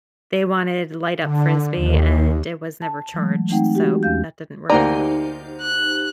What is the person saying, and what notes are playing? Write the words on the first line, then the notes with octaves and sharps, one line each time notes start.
they wanted light up Frisbee, and it was never charged, so that didn't work out.
D3
D#2
A5
E3 F#3 G#3 A3
E3 A3 C4 D#4 F#5 G5
E3 G#3 F#4 G4
E2 C#4 F5 G6
D2 A#3 D#4 G4 C5 D5 A#5
F#6